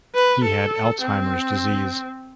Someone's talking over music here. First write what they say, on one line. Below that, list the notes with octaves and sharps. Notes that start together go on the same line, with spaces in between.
He had Alzheimer's disease.
B4
A4
C4